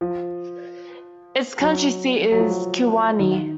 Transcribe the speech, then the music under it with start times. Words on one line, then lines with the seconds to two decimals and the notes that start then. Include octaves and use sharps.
Its county seat is Kewaunee.
0.01 F3
1.60 F#3
2.32 F#3
2.40 F3
3.20 D#3